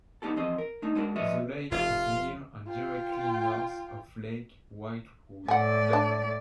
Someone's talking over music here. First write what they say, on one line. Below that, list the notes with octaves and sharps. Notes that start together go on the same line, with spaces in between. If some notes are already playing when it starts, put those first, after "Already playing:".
The lake is near and directly north of Lake Whitewood.
B3 D#4 G4 A4
E3 F3 C4 G#4 D#5
A#4
A3 D4 D#4
G#3 B3 D4 F#4 A#4
F3 G3 B4 C#5 D#5 E5
F1 F2 F4
F4 G5
A2 D5 F#5 G#5
D4 A5